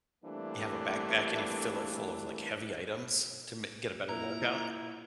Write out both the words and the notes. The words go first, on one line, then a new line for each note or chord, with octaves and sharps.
you have a backpack and you fill it full of, like, heavy items to ma get a better workout,
E3 G3 A3 A#3 C4 D4
A#2 E4 A#5